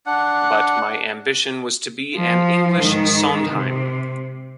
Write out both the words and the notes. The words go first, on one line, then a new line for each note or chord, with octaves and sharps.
But my ambition was to be an English Sondheim.
D4 F#5
F3
G#2 D#3
C3